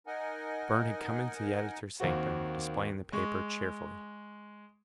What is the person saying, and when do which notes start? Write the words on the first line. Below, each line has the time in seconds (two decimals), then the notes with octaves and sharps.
Burne had come into the editor's sanctum displaying the paper cheerfully.
0.07 D#4 A#4 D#5 F#5 G#5
2.00 D#2 A#3 C4 F#4
3.12 G#3 C#6